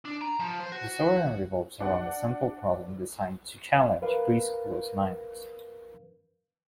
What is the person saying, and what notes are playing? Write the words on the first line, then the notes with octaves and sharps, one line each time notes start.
The storyline revolves around simple problems designed to challenge pre schoolers' minds.
D4
A#5
F3
C5
F#4
D4 F#5
A#4 B4 F5